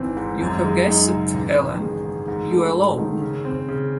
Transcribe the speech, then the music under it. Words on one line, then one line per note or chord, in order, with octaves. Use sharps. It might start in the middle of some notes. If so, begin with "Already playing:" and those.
You have guessed it, Helene — you alone.
Already playing: G#1 E3 C4
G#2
F#2
G#3
D#4
C#3
A1
D#3
G#3
G#2
G#2
A3
G#2
D#3
C#3
C4
C#3